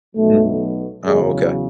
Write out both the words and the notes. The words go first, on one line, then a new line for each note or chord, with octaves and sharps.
Mhm. Oh, okay.
B1 B2 F#3 A3
E2 C#3 F#3 G#3